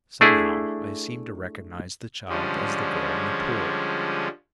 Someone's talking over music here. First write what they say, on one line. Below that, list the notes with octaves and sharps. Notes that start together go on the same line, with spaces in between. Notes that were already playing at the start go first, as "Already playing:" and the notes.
Somehow I seemed to recognize the child as the girl in the pool.
A3 D4 E4 G#4
D3 F3 G3 G#3 C#4